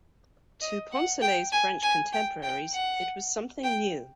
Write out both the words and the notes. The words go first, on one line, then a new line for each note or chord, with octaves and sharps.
To Poncelet's French contemporaries, it was something new.
D#5
F#5
G5
G#5
G#5
G5
G5
F#5
G5